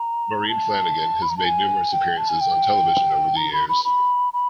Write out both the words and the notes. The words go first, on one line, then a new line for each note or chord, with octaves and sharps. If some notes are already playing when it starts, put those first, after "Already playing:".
Maureen Flannigan has made numerous appearances on television over the years.
Already playing: A#5
A5
B5
A#5
A5
G#5
G5
A5
G#5
G5
A#5
B5
B5
B5
B5